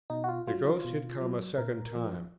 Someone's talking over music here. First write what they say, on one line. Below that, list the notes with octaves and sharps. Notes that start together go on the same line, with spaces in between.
The ghost had come a second time.
B2 D#4
F#4
F4
F#3 F4
F4
B2
F#3
A#2 A#4
F3